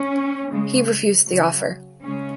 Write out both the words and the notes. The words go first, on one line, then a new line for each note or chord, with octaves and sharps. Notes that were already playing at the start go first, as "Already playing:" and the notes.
He refused the offer.
Already playing: C#4
C#3 G#3
C#3 F#3
C#3 G#3 C#4